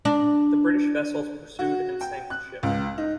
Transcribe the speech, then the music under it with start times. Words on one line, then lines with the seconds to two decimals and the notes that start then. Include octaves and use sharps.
The British vessels pursued and sank the ship.
0.05 D4
1.59 F#4
2.01 G5
2.30 F#6
2.63 C#2
2.98 D#4